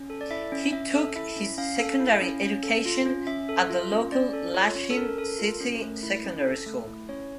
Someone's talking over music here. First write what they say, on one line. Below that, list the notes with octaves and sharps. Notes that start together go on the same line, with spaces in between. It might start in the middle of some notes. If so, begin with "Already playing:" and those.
He took his secondary education at the local Lachin city secondary school.
Already playing: C#4
A4
D5
E4 E5
C#4
C#4 E5
A4
E4 E5
C#4
C#4 F5
A4
E4
C#4
C#4
A4
F4
C#4
C#4 E5
A4
F4
C#4
C#4 D5
A4
F4 C#5
C#4
A4
C#4 A#4
A4
F4
C#4
A3
E4
C#4
A4
A3
E4
C#4 C#5